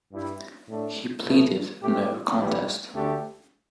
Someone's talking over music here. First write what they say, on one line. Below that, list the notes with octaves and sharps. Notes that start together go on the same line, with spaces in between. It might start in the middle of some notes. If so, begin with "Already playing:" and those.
He pleaded no contest.
G2 G3 E4
A2 A3 D4
B1 B2 A3
A2 A3 G4
B1 A2 E3 G3
D2 D3 A3 D4 G4